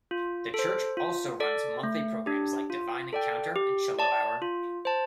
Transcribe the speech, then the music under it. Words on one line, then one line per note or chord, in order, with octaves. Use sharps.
The church also runs monthly programmes like Divine Encounter and Shiloh Hour.
F4
A4 C5
F4
A4 D5
A3
D4 G4
F4
A4 D5 G5
G4
D5 A5
F4
C5 A5